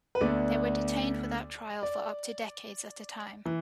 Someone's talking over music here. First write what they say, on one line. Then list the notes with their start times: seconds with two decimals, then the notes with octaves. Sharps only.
They were detained without trial for up to decades at a time.
0.15 B4
0.21 D2 D3 B3 D4 D5
1.83 D5
3.45 E3